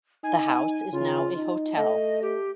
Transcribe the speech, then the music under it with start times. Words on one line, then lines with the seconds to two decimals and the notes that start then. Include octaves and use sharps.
The house is now a hotel.
0.23 D#4 G#5
0.92 C#3 F4
1.35 D#4
1.76 A3 D#5
2.22 G4